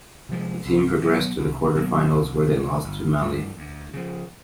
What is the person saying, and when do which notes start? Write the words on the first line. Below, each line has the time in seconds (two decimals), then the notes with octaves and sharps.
The team progressed to the quarter finals, where they lost to Mali.
0.29 C3 F3 G#3
0.65 C2
1.02 B2 F#3
1.38 C2
1.75 B2 F#3 A#3
2.11 C2
2.48 C3 E3 G3
2.84 G1
3.21 G2 E3 G3
3.57 D2
3.93 C#3 F3